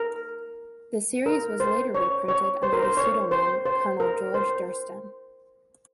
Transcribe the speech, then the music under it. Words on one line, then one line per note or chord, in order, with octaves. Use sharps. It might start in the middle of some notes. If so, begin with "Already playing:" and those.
The series was later reprinted under the pseudonym Colonel George Durston.
Already playing: A#4
A#4
C5
C#5
C#5
C5
A#4
C5
C#5
C5
C5
A#4
C5